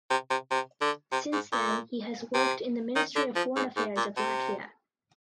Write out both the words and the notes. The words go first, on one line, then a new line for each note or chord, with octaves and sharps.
Since then he has worked in the Ministry of Foreign Affairs of Latvia.
C3
C3
C3
D3
C3
G#2
A#2
C3
D#3
D3
F3
G#2
G#2
A#2
C3